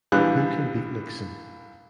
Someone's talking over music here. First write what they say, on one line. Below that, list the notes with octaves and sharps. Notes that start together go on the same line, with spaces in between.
Who Can Beat Nixon?
A#1 E3 G3 F#6